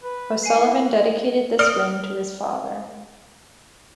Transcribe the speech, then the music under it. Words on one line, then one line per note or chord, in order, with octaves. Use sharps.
O'Sullivan dedicated this win to his father.
B4
F#5 G#5 C7
E4
D5 D#6 F6 D7